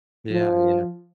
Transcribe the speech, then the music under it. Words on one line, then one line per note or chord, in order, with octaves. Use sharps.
Yeah, yeah.
F3